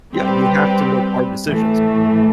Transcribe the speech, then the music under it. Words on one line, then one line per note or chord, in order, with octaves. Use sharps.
Yeah, you have to make hard decisions.
G3 C4 G4 B4
A2 E3 A3